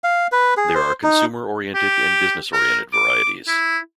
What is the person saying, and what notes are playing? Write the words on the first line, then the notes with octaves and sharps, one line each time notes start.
There are consumer oriented and business oriented varieties.
F5
B4
G#4
C5
D#4
G4
A#4
D6
E4